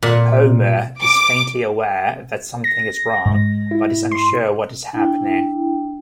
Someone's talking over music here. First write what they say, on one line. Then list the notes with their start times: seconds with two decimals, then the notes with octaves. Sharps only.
Homer is faintly aware that something is wrong, but is unsure what is happening.
0.03 A#2
1.01 D6
2.64 A#6
3.26 G#2
3.71 E4
4.11 C6
4.93 D4 E4 G5